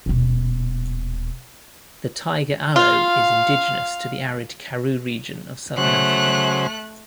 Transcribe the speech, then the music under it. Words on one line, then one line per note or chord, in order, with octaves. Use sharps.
The tiger aloe is indigenous to the arid Karoo region of southern Africa.
D#1 B2
F4 F5
C#3 F#3 A3 C5 F#6